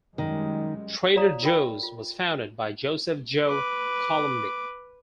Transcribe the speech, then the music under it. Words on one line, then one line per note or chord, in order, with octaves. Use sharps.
Trader Joe's was founded by Joseph "Joe" Coulombe.
F#2 D#3 G3 G#3
F4 C#5 D5 F5 A#5 D#6
F4 A4 A#4 E5 G5 B5
F4
B4 D6